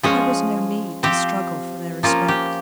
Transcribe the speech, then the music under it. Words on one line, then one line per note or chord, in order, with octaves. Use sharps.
There was no need to struggle for their respect.
F3 G#3 C#4 G#4
F3 C4 G4
F3 A#3 C#4 F4
G4